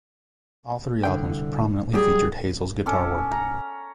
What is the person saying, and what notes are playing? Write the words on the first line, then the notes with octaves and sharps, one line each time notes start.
All three albums prominently featured Hazel's guitar work.
C2 D3 G5
F#2 G3 G4 G#4
C#4 A4 D6
A#5